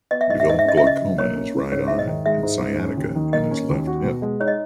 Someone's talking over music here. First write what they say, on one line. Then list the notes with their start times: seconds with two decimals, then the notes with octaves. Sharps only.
He developed glaucoma in his right eye, and sciatica in his left hip.
0.11 B3 D#5
0.21 E5
0.29 G#2 D#5
0.40 E5
0.47 G#2 D#5
0.59 E5
0.65 C#4 D#5
0.77 E5
0.83 C#3 D#5
1.01 F#3
1.18 A#3 C#5
1.36 C#4
1.55 C#3
1.71 G#2 C#5
1.88 G#2 E5
1.99 D#5
2.07 D#3
2.26 G#3 E5
2.43 G#2
2.61 G#2
2.79 C#4
2.97 D#2
3.15 D#3
3.33 A#3 D#5
3.51 C#4
3.69 D#2
3.87 F#4
4.04 B2
4.22 G#3
4.40 D#4 C#5
4.48 D#5